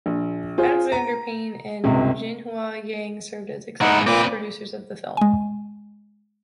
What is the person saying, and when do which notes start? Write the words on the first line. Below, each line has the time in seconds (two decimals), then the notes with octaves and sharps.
Alexander Payne and Jinhua Yang served as executive producers of the film.
0.06 A#1
0.58 F4 G#4 C5
0.92 A#5
1.84 G1 C#2 G2 C3
3.81 G#2 D#4 E4 F#5
4.07 A#2 C4 B4 D6
5.17 G#3 G#5